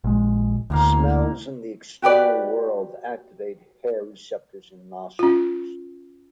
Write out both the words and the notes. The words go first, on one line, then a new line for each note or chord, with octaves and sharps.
Smells in the external world activate hair receptors in nostrils.
A#1 G#3
D2 A2 A#3 F5
F#4 G4 B4 D5
C#4 F4